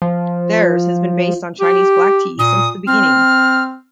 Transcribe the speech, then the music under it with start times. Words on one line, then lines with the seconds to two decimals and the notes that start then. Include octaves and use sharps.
Theirs has been based on Chinese black tea since the beginning.
0.02 F3
1.60 G4
2.39 A#2 D#6
2.87 C4 F6